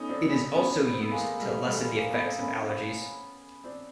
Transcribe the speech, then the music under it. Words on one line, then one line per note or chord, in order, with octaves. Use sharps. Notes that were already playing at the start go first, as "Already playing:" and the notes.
It is also used to lessen the effects of allergies.
Already playing: A3 B3 C#4 D#4
C4 D4
B3 C#4
B3 C#4
B3
C4
A3 B3
G#3 A#3
G3 A3
G3 A3
G#3 A#3
A3 B3
A#3 C4
B3 C#4
C4 D4